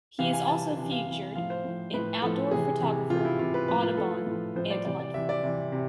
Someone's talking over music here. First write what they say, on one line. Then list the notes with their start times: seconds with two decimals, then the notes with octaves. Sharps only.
He is also featured in "Outdoor Photographer", "Audubon", and "Life".
0.19 C3 E3 F5
0.33 G#5
0.48 C3 E3 A5
0.77 C3 E3
0.92 F5
1.06 C3 E3
1.35 A2 F3 F5
1.50 C5
1.65 A2 F3
1.94 A2 F3 B4
2.22 A2 F3 A4
2.51 C3 E3 G#4
2.81 C3 E3
3.10 C3 E3 F4
3.25 E4
3.39 C3 E3 F4
3.54 B4
3.68 A2 F3 B4
3.83 F4
3.97 A2 F3 A4
4.27 A2 F3
4.55 A2 F3 C5
4.70 D5
4.85 C3 E3 D5
5.00 D5
5.14 C3 E3 E5
5.29 D5
5.43 C3 E3
5.72 C3